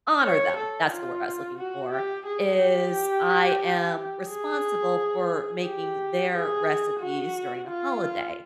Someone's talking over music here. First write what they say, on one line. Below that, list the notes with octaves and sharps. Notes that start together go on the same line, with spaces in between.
honor them, that's the word I was looking for, is I am responsible for making their recipes during the holiday.
C#5
A4
F4
F#4
G4
G#4
G4
G#4
G4
G#4
F#4
F4